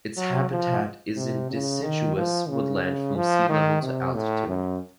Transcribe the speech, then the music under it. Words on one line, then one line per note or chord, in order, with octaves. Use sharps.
Its habitat is in deciduous woodland from sea level to altitude.
F#3
F3
C3
C#3
D#3
F3
C#3
C#3
F3
D#3
C3
A2
F#2